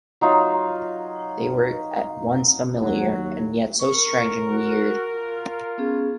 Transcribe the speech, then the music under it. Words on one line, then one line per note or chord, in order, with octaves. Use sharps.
They were at once familiar and yet so strange and weird.
F#3 D#4 F4
D#2 F#3
A#4 C#6
F#4
F4
B3 C#4 G#4